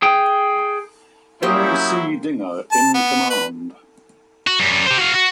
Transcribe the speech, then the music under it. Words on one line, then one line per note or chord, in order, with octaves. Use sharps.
Henry C. Dinger in command.
G#4 G5
F#3 A#3 C#4 E4 G4 C5 D#6 G6
A5
B3
B4
F#4
F#2 G3
G4 C5
F#4 F5
F#4